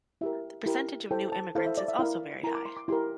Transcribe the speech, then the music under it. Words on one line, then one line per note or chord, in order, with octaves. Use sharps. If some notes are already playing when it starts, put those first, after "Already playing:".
The percentage of new immigrants is also very high.
E4 G4 A#4 E5
E4 G4 A#4
E4 A4 C5 G5
A5
E4 A4 C5 F5
E5
D5
E5
E4 A#4 F5
E4 A#4 A#5
D6
C6
D6
E4 G4 A#4 C6